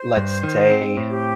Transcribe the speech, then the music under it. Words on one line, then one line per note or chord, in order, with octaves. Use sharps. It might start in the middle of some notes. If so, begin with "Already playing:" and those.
let's say,
Already playing: C5
G2
D#3
C4
A2
G4